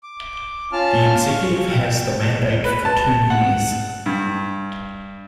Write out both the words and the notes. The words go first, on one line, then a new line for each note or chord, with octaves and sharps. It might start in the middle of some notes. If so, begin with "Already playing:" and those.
The executive has the mandate for two years.
D6
C#4 F4 A5 F6
F5 C#6
G5
B4
A5
F#5
G2